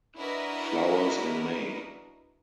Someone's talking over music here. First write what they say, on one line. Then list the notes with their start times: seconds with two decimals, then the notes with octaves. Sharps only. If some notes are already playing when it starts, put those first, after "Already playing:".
Flowers in May.
0.17 D4 E4 F#4 A#4 B4 D#5